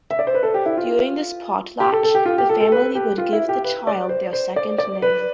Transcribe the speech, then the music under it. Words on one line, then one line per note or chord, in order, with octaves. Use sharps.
During this potlatch, the family would give the child their second name.
E5
D5
C5
B4
A4
G4
E4
F4
G4
A4
A4
G4
F4
G4
A4
A4
B4
G4
F4
E4
G4
B4
D5
C5
C5
D5
D5
B4